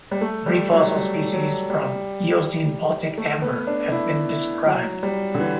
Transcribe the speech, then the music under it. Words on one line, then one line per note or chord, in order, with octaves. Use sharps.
Three fossil species from Eocene Baltic amber have been described.
G3
A3
G3
F#3
G3
F#3
G3
A3
B3
D4
E4
E4
F#3
G3
D3
E3